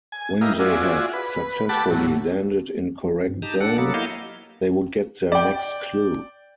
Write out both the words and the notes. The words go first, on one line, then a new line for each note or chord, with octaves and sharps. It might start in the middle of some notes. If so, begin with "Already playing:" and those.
When they had successfully landed in correct zone, they would get their next clue.
G#5
E4 G4 A#4 D#5 F5
F4 F#4 G#4 D5 E5
B4
G4 A4 F#5 A5 B5 D6
A2 F#3
G2
D#4 G4 A5 A#5
D4 A4 F#5
F#3 A#3 B3 A4
A#3 E4 G4 D#5 F5
D5 G5